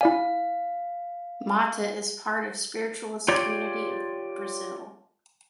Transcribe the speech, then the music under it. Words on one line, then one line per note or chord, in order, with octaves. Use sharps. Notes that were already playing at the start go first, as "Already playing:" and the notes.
Motta is part of spiritualist community of Brazil.
E4 D5 F5 G#5
F4 G4 C#5 D5